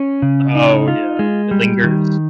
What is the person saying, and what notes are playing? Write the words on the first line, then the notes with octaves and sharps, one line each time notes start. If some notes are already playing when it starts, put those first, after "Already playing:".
Oh, yeah. It lingers?
Already playing: C#4
C#3
D#4
F4
G#3
G3
D#3